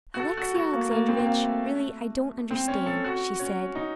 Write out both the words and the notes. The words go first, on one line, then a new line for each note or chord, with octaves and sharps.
"Alexey Alexandrovitch, really I don't understand," she said.
F#4
A4
F#4
F#4
A#3
A#3
C4
C4
A#3
A3
C4
C#4
A4
F#4
C#4
D#4